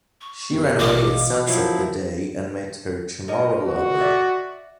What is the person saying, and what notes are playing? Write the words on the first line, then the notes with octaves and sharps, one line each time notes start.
She ran away at sunset that day and met her Chamorro lover.
C#6
F#1 C3 D#3 B3
A1 B2 E3 G3 D#5 F5 D6
F3 F#3 E4 F4 F5
A#4 C#5 D#5
F#4
D5 E5